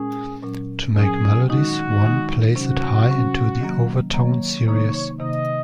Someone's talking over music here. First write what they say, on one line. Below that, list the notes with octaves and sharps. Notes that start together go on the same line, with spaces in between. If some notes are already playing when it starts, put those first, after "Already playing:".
To make melodies, one plays it high into the overtone series.
Already playing: A#2 G#3 C#4 G#4
A#2 F#3 C#4
A#2 F#3 C#4 G#4
D#3 G#3 D#4 F#4
D#3 G#3 D#4
C3 F#3 C#4 F#4
C3 F#3 C#4
D#3 F#3 A#3
D#3 F#3 A#3 C#5
C3 D#3 A#3 D#4 C#5
C3 D#3 A#3 D#4 D#5